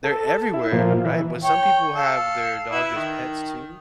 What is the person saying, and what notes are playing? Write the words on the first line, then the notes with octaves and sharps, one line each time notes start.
they're everywhere, right? But some people have their dogs as pets, too,
A4
E4
A#2 F3
E3
C#5 G5
A4 F5
E4 B4 E5
D#3